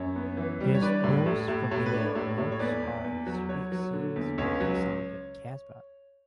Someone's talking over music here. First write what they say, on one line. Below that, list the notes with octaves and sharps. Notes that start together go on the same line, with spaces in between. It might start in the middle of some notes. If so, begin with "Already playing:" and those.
His most familiar works are street scenes from inside the Casbah.
Already playing: F#2 C#5
B3
E3
G3
C#5
D4 B4 D5
A2
A2
A2
A2 C#5
B4
D4
C#5
A2
A2
C#5
E2 B4 D5
E2
E2
F#3
F#3 C#5
F#3
D3
E2
C#2 C#5
F#3